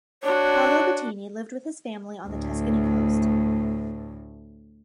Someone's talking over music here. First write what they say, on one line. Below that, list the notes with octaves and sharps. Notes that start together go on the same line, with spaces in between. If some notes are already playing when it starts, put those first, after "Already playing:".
Paolo Bettini lived with his family on the Tuscany coast.
D4 F#4 C#5
D2 A2